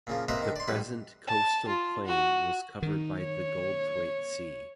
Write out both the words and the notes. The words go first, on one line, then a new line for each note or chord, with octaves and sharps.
The present coastal plain was covered by the Goldthwait Sea.
A#2 C#3 F3
C3 A#3 B4 C5 D#5 A#5
D3 D#3
D5 C6
A1 G#2 G3 B4
A5
F4
F#4
D#3 D#4
C#5